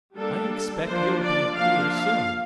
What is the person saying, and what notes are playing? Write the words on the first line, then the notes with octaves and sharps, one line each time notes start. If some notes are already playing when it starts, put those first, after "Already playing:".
I expect he'll be here soon.
G3 A#3 D4 A4
F3 A#3 D4 C5
D5
F3 A#3 D4 F5
F5